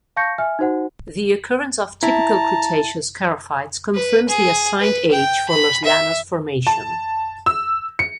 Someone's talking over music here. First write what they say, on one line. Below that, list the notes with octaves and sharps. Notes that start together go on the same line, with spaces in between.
The occurrence of typical Cretaceous charophytes confirms the assigned age for Los Llanos Formation.
F5 A5 C#6 G6 A#6 C#7
E5 G#5 F6
D#4 F#4 C5 F#5
E4 A5 A#5
B4
G#4
B4
G5
B5
E5
A5
E6
C#7